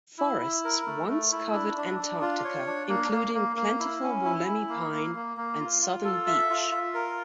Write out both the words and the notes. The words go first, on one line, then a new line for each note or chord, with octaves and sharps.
Forests once covered Antarctica, including plentiful Wollemi Pine and Southern Beech.
E4
E4
A#4
A3
A3
E4
D4
D4
D4
F4
C#5
D4
A#3
A#3
A#3
A#3
E4
C#4
E4
E4
A#3
A#3
A#3
A#3
F4
F4
A4
E5
F4
F4
A#4